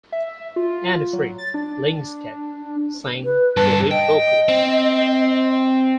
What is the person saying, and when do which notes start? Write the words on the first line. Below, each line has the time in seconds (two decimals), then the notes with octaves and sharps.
Anni-Frid Lyngstad sang the lead vocals.
0.12 E5
0.56 F4
1.13 F#3
1.38 A6
1.54 D4
3.24 B4
3.57 G2 A4
3.91 D#5 G5
4.48 C4